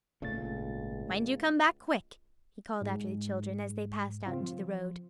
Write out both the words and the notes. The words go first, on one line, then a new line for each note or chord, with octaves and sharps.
"Mind you come back quick!" he called after the children, as they passed out into the road.
G#1 C#2 A#2 C#3 A3 A6
G#2 G#3
C#3 C4 F4
F3